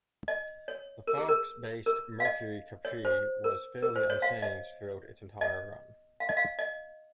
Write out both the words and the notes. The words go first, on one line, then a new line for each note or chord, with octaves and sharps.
The Fox-based Mercury Capri was fairly unchanged throughout its entire run.
D#5
C#5
A#4
G#4
A#4
A#4
F5
D#5
C#5
C5
A#4
A#4
C5
C#5
F5
D#5
D#5
F5
D#5
F5
D#5